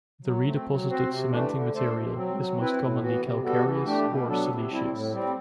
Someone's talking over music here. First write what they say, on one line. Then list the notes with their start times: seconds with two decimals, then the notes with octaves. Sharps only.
The redeposited cementing material is most commonly calcareous or siliceous.
0.24 F#3
0.45 A3 C4
0.67 F#3
0.88 C4 F#4 C5
1.09 C3
1.30 E3 A3 D4
1.51 D3
1.72 A3 D4 A4 C5
1.93 B2
2.15 F#3 C4
2.36 F#3
2.57 C4 E4 B4
2.79 A2
3.00 E3 B3 F#4
3.20 C3
3.42 G3 B3 F#4 A4
3.63 E3
3.84 A3 D4 G4
4.06 B2
4.27 F#3 B3 D4 A4
4.48 C3
4.69 G3 C4 E4
4.90 A2
5.11 G3 C4